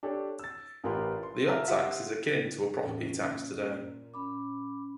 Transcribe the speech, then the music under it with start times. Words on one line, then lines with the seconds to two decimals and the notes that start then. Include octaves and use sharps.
The hut tax is akin to a property tax today.
0.03 D4 G4 A4 C#5
0.39 E6 A6
0.84 A1 F4 G4 A#4 B4 C6
1.23 C6
1.49 E5 F5 A5 A#5 F6
1.68 F4 G4 G#4 E5 F#5
2.81 E2 A2 C#4
3.26 A#2
4.14 C#4 B5 D6